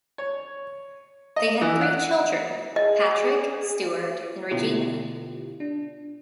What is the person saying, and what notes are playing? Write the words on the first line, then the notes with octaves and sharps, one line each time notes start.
They had three children: Patrick, Stewart and Regina.
C#5
D#5
E3
F#5
G#4 D#5
B2 D3 B3 E4 F4 G4
D4